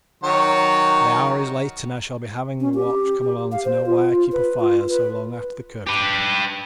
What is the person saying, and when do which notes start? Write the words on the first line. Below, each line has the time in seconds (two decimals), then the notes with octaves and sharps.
The hour is late, and I shall be having the watch coming along to know why I keep a fire so long after the curfew.
0.24 D#3 F#3 C#5
2.61 C#4
2.74 G4
3.52 F5
3.65 C5
3.87 F4
4.32 B4
4.60 F4
4.89 B4
5.87 G4 B4